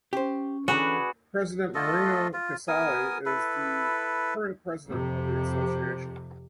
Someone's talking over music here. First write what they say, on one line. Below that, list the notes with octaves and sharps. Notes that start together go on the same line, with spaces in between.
President Marino Casali is the current president of the association.
C#4 G4 C5
D3 E3 F#4 G#4 B4 C#5 D5
A3 F4 A4 D#5
F4
B3 A#4 G#5 D#6
E4 A4 B4
F2 C3